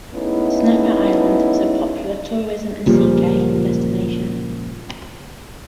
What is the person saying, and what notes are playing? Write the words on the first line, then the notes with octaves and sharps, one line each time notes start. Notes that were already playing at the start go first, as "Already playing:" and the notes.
Snapper Island is a popular tourism and sea kayaking destination.
G#3 A3 B3 C#4 D#4 E4
C#2 A#2 F3 G3